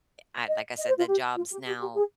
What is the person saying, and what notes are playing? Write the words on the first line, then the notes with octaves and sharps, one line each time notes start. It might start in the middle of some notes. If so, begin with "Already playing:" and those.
I like I said, the jobs now
D#5
D#5
C5
F4
G4
F4
G4
G4
G4
G#4